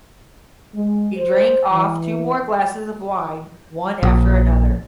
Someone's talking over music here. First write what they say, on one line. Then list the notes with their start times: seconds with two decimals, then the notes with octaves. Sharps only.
He drank off two more glasses of wine, one after another.
0.74 G#3
1.17 C5
1.72 E3
4.03 A#1